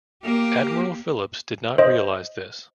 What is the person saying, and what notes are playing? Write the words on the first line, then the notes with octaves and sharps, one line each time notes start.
Admiral Phillips did not realize this.
A#3 G4
C5 D#5